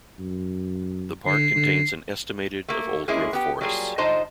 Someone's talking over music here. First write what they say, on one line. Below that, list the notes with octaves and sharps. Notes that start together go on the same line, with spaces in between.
The park contains an estimated of old-growth forests.
F#2
D3 C7
D3
A3 A#3
G#3 A#3 C#4 E4 G#4
B3 G4
F#3 G3 A#3 F4 G#4
D3 D#4 F4 C5 D#5 A5